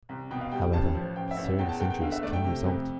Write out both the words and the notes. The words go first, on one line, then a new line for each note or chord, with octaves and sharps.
However, serious injuries can result.
C2
B2 G5
F5
G3 G5
A1 A5
F3
A1 G5
E5
A1
E5
E2 G5
A5
E2 G5
G5
D3 F5
E5
A3 D5
G5
C3
F2